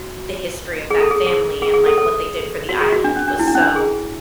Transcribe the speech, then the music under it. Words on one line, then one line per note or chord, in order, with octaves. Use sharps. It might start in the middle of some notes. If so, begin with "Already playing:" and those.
the history of that family and, like, what they did for the island was so
Already playing: F#4
G#4
A4
G#4
G#4
G#4
G#4
A4
A4
F#4
G#4
F#4
D4
C#4
D4
E4
D4
C#4
D4
G#4